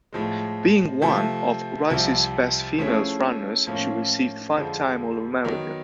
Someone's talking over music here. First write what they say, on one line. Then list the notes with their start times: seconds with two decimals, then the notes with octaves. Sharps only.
Being one of Rice's best female runners she received five time All America.
0.13 A2 F3 G#3
1.02 C3 F3 A3
1.90 C2 C3 F3
2.78 F3 A3 C#4 E4 G#4
3.67 A2 F3 A#3 C#4
4.56 F2 D3 F3 G#3
5.44 D#3 F#3 B3